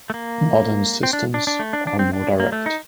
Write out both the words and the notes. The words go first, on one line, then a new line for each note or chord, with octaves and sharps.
Modern systems are more direct.
A3
A#3
C4
D4
D4
D4
A3
D4
D4
C4
D4
A#3
A3
D#4